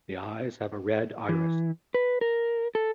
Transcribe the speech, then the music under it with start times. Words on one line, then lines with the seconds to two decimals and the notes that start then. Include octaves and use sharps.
The eyes have a red iris.
1.29 E3
1.94 B4
2.21 A#4
2.75 A4